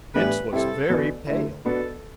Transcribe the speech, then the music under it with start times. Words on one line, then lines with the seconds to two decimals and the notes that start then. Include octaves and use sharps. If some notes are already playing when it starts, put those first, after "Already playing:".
Bince was very pale.
0.14 A2 E3 G3 B3 D4 B4
0.52 C3 G3 C4 E4 A4
0.90 E2 B2 B3 D4
1.27 D3 A3 E4
1.65 B2 B3 D4 A4